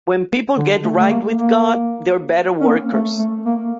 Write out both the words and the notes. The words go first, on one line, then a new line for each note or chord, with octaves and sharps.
When people get right with God, they are better workers.
D3
A3
A3
A#3
A#3
C#4
A#3
A3
A3
A#3